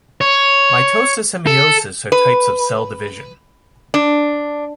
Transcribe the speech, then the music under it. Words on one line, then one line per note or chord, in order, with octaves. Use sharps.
Mitosis and meiosis are types of cell division.
C#5
A4
B4
D4